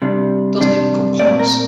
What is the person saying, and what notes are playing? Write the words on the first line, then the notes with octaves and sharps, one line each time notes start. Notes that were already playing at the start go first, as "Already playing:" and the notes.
Doesn't even come close...
C3 G3 D4
C3 G3 D4
A#2 A3 C4 D5
A#4